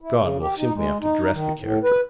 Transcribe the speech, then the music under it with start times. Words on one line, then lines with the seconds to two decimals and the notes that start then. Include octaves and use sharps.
God, we'll simply have to dress the character.
0.01 E4
0.18 C#3
0.41 G4
0.58 D#4
0.74 G#3
1.01 D#4
1.32 D#3
1.60 A2
1.83 B4